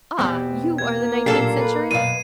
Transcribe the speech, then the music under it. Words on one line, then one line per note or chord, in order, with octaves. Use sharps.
Ah! you are the nineteenth century?
E2 B2 B3 C4 G4
A#3 G#6
B1 A#2 D4 F4 G4 A4 C7
B4
F#2 B2 F5 D#7